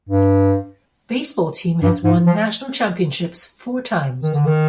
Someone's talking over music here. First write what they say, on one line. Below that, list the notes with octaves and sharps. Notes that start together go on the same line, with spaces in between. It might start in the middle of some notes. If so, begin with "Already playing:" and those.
Baseball team has won national championships four times.
G2
G2
G#2
F3
D#3
D3
D#3